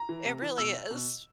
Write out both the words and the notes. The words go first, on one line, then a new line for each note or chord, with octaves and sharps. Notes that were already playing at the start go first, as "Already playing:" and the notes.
It really is.
Already playing: A#5
E3
C3
E3
B2 E6
B2